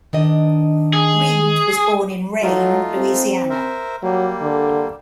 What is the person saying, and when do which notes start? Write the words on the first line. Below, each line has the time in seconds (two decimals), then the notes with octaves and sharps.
Reed was born in Rayne, Louisiana.
0.13 D#3 D4 D#5
0.93 G#4
2.42 F#3 A3 D#4 F4
2.97 C4
3.50 A#4 C5 E5
4.03 F#3 G3 A#3
4.42 D3